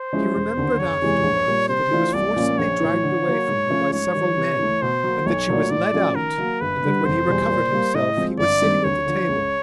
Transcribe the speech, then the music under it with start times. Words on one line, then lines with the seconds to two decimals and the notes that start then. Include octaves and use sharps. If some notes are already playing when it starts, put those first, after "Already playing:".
He remembered afterwards that he was forcibly dragged away from her by several men, and that she was led out, and that when he recovered himself he was sitting at the table.
Already playing: C5
0.13 F3 G#3 C#4 E4
0.35 E1
0.57 D#2 D3
0.79 F#1 C#5
1.02 E2 C3 E3 G#3
1.23 A#1
1.47 A#2 G3
1.68 C3 C5
1.91 E3 A3 D4 F4
2.13 C2 D5
2.36 A#2 F3 A#3 C#4
2.58 A#1 C#5
2.80 A2 E3
3.03 D3
3.26 F#3 A#3
3.48 G#2
3.70 F3 A3 C#4 F4
3.92 G#2 C#5
4.15 D#3 G3
4.37 C3
4.59 E3 A3
4.82 B2 C5
5.04 F#3 A#3
5.26 B1 C#5
5.49 A#2 F#3 A3 D4
5.71 A2 D5
5.93 F3 A3 C#4 F#4
6.16 D#3 A#4
6.38 F#3 A#3
6.61 G1 B4
6.83 G2 D3 G3
7.05 F1 C5
7.27 E2 B2 G3
7.50 A#2
7.72 G3 A#3
7.95 A2 D#5
8.17 F3 G#3 C4
8.39 G1 D5
8.61 G2 D#3 G3 C4
8.84 D2 C#5
9.06 D3 F3
9.28 C#2